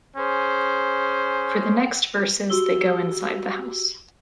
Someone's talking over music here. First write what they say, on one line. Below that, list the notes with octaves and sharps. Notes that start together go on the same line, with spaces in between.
For the next verses they go inside the house.
C#4 G#4 C5
F#4 G4 E6 G7